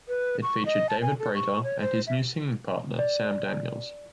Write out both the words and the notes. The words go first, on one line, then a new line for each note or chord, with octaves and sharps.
It featured David Prater and his new singing partner Sam Daniels.
B4
C#6
D#5
A5
G#5
A4
C#6
C#5
C5
E5
D5